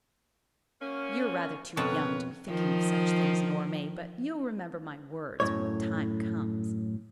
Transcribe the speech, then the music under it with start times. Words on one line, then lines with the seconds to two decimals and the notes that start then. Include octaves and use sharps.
You're rather too young to be thinking of such things, Nora May, but you'll remember my words when the time comes.
0.82 F#3 A#3 C#4
1.77 F2 B2 A#4 B4 C#5 A5
2.49 D#3 F3
5.40 F#2 A2 C#5